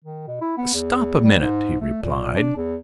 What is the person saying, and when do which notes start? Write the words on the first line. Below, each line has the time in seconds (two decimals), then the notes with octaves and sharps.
"Stop a minute!" he replied.
0.04 D#3
0.27 B2
0.41 E4
0.57 B3
0.73 E2
1.24 G3
1.41 G#2
1.81 A3
2.03 A#2
2.37 D4
2.56 E2